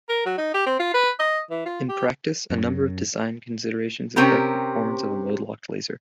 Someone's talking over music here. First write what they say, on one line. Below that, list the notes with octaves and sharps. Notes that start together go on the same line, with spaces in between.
In practice, a number of design considerations affect the performance of a mode-locked laser.
A#4
F#3
D#4
G4
C4
F4
B4
D#5
E3
F4
G4
F#2
C3 C4 C#4 G4 A#4